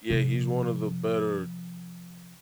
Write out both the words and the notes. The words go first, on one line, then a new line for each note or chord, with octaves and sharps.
Y Yeah, he's one of the better
C3 F3